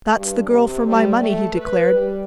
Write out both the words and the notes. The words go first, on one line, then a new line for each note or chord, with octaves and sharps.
"That's the girl for my money," he declared.
G2
C3
G3
A3
B4
G3